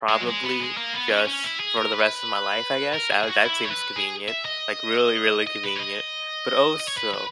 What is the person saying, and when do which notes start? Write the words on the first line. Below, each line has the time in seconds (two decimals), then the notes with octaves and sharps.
probably just for the rest of my life, I guess that that seems convenient, like, really, really convenient, but also
0.09 G#3
0.21 F#3
0.27 G#3
0.43 B3
0.60 G#3
0.77 A#3
0.94 B3
1.10 C#4
1.27 C#4
1.44 E4
1.60 G#4
1.78 A#4
1.94 B4
2.94 A#4
3.12 G#4
3.24 G#4
3.29 F#4
3.45 E4
3.65 C#5
3.71 B4
3.96 G#4
4.29 E5
4.45 D#5
5.47 D#5
5.64 B4
5.76 C#5
5.80 D#5
6.80 D#5
6.88 C#5
6.98 B4
7.14 B4